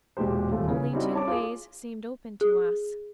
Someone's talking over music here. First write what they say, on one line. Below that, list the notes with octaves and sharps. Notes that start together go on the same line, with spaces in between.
Only two ways seemed open to us.
E1 A#2 G#3 G4 C5
D#1 G#1 A3 F4
C#3 E3
G3 C4 C#4 D#4 E4 F#4
C#5 A5 D6
F4 G#4
G#4